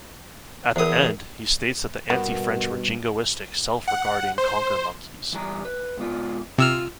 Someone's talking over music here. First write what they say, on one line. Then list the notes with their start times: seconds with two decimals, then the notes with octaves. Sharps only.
At the end, he states that the anti-French were jingoistic, self-regarding conquer-monkeys!
0.76 E2 A#4 C5 D#6
2.10 G2 B2 B3 A#4 F#5
3.88 F#5
4.38 C5
5.33 E2 G3 A#5
5.65 B4
5.97 G#2 B2 F4
6.58 C3 F4 E6 F6